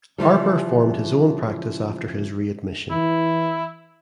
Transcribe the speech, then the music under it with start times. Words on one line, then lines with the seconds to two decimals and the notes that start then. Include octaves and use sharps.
Harper formed his own practice after his readmission.
0.18 C#3 E3 F3 G3
2.91 E3 E4